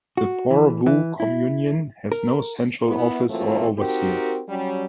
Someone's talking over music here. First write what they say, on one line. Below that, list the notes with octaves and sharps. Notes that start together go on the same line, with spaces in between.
The Porvoo Communion has no central office or overseer.
F#4
E3
E3
E4
A#4
B3 E4
E3 F#3 A3 A#3 C4 F4
C4 D#4 F#4 G4 A#4
F#3 G3 C#4